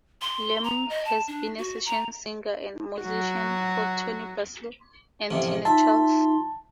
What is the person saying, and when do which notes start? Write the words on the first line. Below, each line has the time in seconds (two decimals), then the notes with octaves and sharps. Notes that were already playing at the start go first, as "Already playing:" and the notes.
Lamb has been a session singer and musician for Toni Basil and Tina Charles.
0.22 C6
0.64 A#5
0.90 D#5
1.05 A5
1.28 D4
1.58 F#4
1.86 A#5
3.00 F#3 F#4
5.30 A1 F2 C3
5.65 D#4 F4 E5 A5 C6